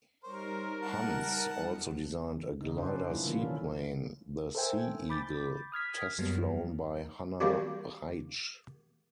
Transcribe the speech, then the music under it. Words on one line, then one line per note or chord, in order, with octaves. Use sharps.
Hans also designed a glider-seaplane, the "Sea Eagle", test flown by Hanna Reitsch.
G3 D#4 A#4 C5 C#5
F#5 A5
C#3 D#4
C#4 D4 F#4 B4 C5
F3
F#3 A#3 E4
D3 E3 G3 A#3 C4 F4
C3 D#3 E3 C#4 A4
A4 A#4 C5 E5 G5 G#5
B5 D6 G6 A6
D#6 F6 G#6 B6
F#2 F#3 G3 A#3 B3
G3 A#3 C4 D4 F#4